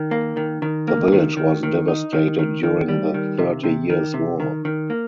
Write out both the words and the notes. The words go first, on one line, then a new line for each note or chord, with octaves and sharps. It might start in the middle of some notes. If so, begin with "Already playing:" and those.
The village was devastated during the Thirty Years' War.
Already playing: D#3
A#3
D#3
D#3
A#3
D#3
D#3
D#3
D#4
D#3
D#3
D#3
G3
D#3
C3
C3
D#3
C3
D#3
D#3
A#3